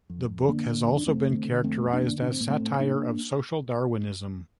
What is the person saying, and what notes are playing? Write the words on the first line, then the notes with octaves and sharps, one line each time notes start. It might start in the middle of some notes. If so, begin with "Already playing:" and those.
The book has also been characterized as satire of Social Darwinism.
F2
F2
D3 A#3 D4
D3
F2
D4
F2 A3 C4
D3
D3
F2 A3 C4
F2
A#3 D4
D3
A2 D4
C4
A2 A#3
A3 C4
A2
C4
A2 A#3 D4